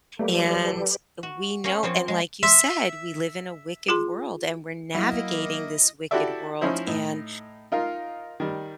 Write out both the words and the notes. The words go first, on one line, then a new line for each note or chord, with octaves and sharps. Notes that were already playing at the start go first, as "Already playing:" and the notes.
and we know and like you said, we live in a wicked world and we're navigating this wicked world and
F#3 A3 A#3 G4 A4 B4 D5
F#4
A#3 C#4
F3 A#3 C4 C#5
G#3
E5 C6
F4 G#4 C6
F#3 A#3 E4 D#5
E4 F#4 G4 A4 D5 E5
F3 C#4 D#4 E4 C5
A2 D#4
D#4 F4 A#4 F5
D#3 G3